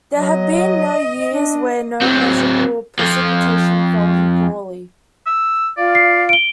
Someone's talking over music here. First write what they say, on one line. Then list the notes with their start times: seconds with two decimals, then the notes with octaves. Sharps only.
There have been no years when no measurable precipitation fell in Brawley.
0.13 F#3 D#5
1.30 D4
2.02 F#3 C4
2.99 F2 F3
5.26 E6
5.77 F4 D5 F5
5.95 C7
6.29 D7 G7